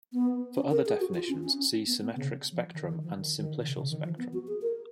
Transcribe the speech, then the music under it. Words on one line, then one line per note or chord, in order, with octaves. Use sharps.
For other definitions, see symmetric spectrum and simplicial spectrum.
B3
C#4
A#4
G#4
F#4
F4
C#4
C#4
B3
B3
C#3
F3
D#3
D#3
F3
D#3
D#3
C#3
C#3
D#3
F3
B3
F#4
G#4
A#4